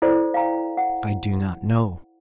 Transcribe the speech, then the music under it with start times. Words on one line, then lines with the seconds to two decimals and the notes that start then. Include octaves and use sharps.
"I do not know."
0.02 E4 A4 C5 D5
0.34 F5 G5 A#5
0.77 F#5